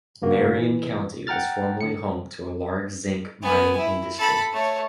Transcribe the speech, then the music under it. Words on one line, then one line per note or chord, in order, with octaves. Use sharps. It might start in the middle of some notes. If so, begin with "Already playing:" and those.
Marion County was formerly home to a large zinc mining industry.
G2 C#3 A#3 F#4
E3
F#5 G5 A#5 F6 A6
D3 C#7
B3 G#5
E4
A4 B5
A3 C#5